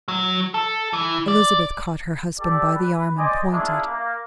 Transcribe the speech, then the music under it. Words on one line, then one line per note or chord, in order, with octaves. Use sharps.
Elizabeth caught her husband by the arm and pointed.
F#3
A4
E3
D5
G4 A4 D5
B4
C5 D5 D#5 G#5 C6 D6
A#3 C#4 D4 E4 F4 G#4
A#3